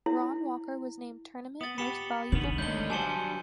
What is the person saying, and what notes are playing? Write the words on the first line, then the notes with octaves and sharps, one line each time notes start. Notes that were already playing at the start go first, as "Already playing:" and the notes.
Ron Walker was named Tournament Most Valuable Player.
E4
B3 D#6 A6
B3 G4 B5 C#7 E7
D3 D#3 B3 F#7
G#3 C#5 D#5 G6 G7
F#3 D4 F#4 G4 C5 G#5 A5 C#7